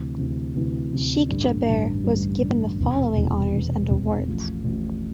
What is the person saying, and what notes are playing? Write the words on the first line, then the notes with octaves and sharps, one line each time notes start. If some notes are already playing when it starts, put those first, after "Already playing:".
Sheikh Jaber was given the following honors and awards.
Already playing: D2 C3 E3
D2 C3 E3
D2 C3 E3
D2 C3 E3
A1 G2 D3 G3 D4
A1 G2 D3 G3 D4
A1 G2 D3 G3 D4
A1 G2 D3 G3 D4
E1 E2 C3
E1 E2 C3
E1 E2 C3
E1 E2 C3
A1 A2 F3
A1 A2 F3